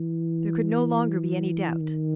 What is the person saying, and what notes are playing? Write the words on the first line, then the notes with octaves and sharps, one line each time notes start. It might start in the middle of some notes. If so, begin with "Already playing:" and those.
There could no longer be any doubt.
Already playing: E3
D#3